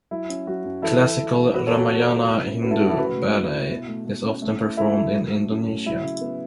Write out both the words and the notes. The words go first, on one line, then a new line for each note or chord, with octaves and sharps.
Classical Ramayana Hindu ballet is often performed in Indonesia.
F#3 E4
C#4
F#3 F#4
F#2
E3 E4 A4
E3
E3
E3
B2 F#4 B4
A4 C#5
B2
F#4
B2
E4
E4
C#4
C#4 F#4 B4
E4 A4
A2 F#4
E4 A4
C#3 F#4 B4
A3
E4
E4
B2
A3
A3
C#4
A3
E4
A3 E4 A4
F#3
A2
A3
C#4
A2
F#3 E4
C#3
B3